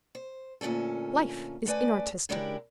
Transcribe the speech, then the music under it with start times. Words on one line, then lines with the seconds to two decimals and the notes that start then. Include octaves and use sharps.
Life is inartistic.
0.15 C5
0.61 D2 A#2 C#3 C#4 A4
1.66 C#3 A3 B4 D5 G#5
2.29 C#3 G#3 D4 E4 G4 A#4